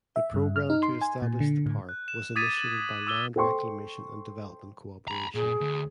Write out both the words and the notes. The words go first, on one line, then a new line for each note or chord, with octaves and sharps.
The program to establish the park was initiated by Land Reclamation and Development Cooperation.
E5
G2
F6
D#4
C6
G#5
A#2
D3
A2
F#6
E7
D6 D#6 G#6 A6 B6 D#7
F#7
D6 E6 D#7 G7
A4 C5 G5 C6 C#6
A#5 B5
A#2 G#4
D2